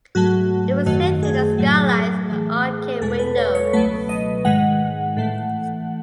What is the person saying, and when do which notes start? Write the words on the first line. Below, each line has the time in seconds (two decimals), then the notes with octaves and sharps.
It was lit through the skylights in the arcade windows.
0.15 G#2 F#3 A3 F#4
0.86 F#2 D#3 A3 F#4
1.23 G#4
1.58 A2 F#3 A3
2.30 A2 E3 A3
3.01 E2 B2 G#3 A4
3.19 B4
3.38 C#5
3.55 C#5
3.73 C#2 B2 F#3 A3 B4
4.09 D#5
4.45 G#2 D#3 G#3 F#5
5.17 A2 E3 A3